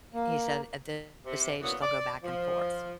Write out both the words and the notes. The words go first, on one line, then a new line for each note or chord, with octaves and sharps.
He said, "At this age they'll go back and forth."
A#3
C3
F#2 A#2 D3 E3 F#3 B3
D5
F3